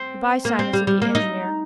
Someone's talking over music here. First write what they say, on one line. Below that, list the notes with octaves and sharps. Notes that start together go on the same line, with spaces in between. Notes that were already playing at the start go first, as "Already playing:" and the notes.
"Good-by, Simon," said the engineer.
Already playing: C4
A#3
C4
G3
G3
A#3
D#4